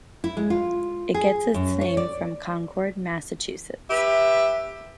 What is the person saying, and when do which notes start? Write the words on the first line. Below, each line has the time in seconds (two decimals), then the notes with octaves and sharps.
It gets its name from Concord, Massachusetts.
0.24 E4
0.37 G#3
0.50 F4
1.14 G#4
1.54 F#2
1.81 C#5
1.97 D5
3.90 G4 B4 E5